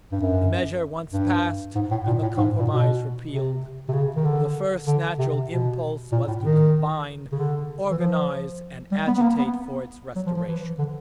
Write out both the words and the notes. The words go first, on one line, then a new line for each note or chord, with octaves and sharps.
The measure once passed, and the Compromise repealed, the first natural impulse was to combine, organize, and agitate for its restoration.
G2
F#2
G2
G#2
A2
A#2
A2
G#2
A#2
B2
C3
C3
C#3
D#3
D3
D3
C3
B2
A#2
A2
D#3
C#3
D3
E3
F3
G3
B3
B3
A#3
B3
F#3
F3
F3
E3
D3